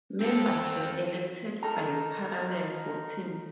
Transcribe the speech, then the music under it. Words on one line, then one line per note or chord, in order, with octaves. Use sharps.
Members were elected by parallel voting.
C4 A4
D#4 A4 A#4 A#5